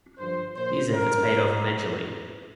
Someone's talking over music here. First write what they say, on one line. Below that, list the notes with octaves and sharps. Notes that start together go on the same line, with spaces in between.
These efforts paid off eventually.
G2 D3 F3 C5
A#2 F3 C5
G2 E3 A#4